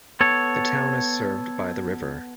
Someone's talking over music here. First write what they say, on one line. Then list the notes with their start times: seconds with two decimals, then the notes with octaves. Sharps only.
The town is served by the River.
0.21 B3 A4 C#5